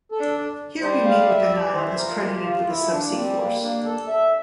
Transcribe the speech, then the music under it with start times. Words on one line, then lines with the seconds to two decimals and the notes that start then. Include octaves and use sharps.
Here we meet with the Nile as credited with a subsea course.
0.12 A4
0.19 D4
0.81 G3 C5
1.05 F5
1.29 E5
1.51 D5
1.74 E3 C5
1.98 A#4
2.06 F3
2.21 G4
2.37 F3
2.45 F4
2.68 F3 E4
2.91 D4
3.10 A#3
3.14 G3 C4
3.37 A#3
3.61 A#3 D4
3.84 A4
4.08 E5